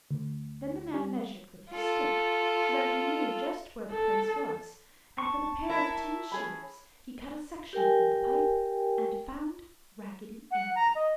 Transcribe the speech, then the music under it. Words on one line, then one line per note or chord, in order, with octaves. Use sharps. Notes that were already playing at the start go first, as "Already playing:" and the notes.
Then the man measured with his stick, so that he knew just where the place was, and with a pair of tin shears he cut a section from the pipe and found Raggedy Andy.
D2
G3
F4 A4
A4
A5 C#6
E4 A#4
C#4 G#4 B5
G4 A#4 G5 G#5
F#5
A#5
D#5